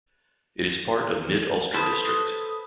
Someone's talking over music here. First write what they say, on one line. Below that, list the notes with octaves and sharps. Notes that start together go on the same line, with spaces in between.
It is part of Mid-Ulster District.
A4 B4 C5 A5 D#6